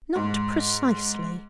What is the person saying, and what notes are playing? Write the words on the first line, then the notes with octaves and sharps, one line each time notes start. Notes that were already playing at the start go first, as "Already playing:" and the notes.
Not precisely.
G#2